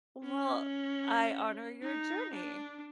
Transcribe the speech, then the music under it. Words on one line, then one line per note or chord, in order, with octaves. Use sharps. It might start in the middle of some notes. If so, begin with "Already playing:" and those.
Well, I honor your journey.
C#4
D#4
D4